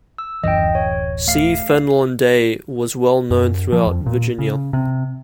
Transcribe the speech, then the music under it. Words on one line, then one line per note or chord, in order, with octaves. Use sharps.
C. Fenlon Day, was well known throughout Virginia.
E6
D1 F#2 E3 D#5 G5
C#5
A3 F5 C7
F#2
F3
F2
A#2
C#3
C3